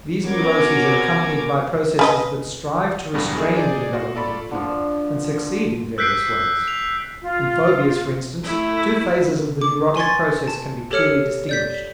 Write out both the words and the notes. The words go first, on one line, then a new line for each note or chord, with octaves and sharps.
These neuroses are accompanied by processes that strive to restrain the development of fear, and succeed in various ways. In phobias, for instance, two phases of the neurotic process can be clearly distinguished.
B3 C#4 F#4 A#4 D6 G#6
C#4 B4 D#5
E2 G2 B2 F#3 G3 B3
D4 E4 G#4 A4
D#4 G#4 D5
F#4 C6
F4 A4 D5 B5 C#6
D3 F3
E6 F#6 G6 B6 C7 D7
F7
F4
A3 E4
D6
G#5 C6 C#6 G#6 A6
A5
G4 A4 C#5 F6 C#7
D5 G6 B6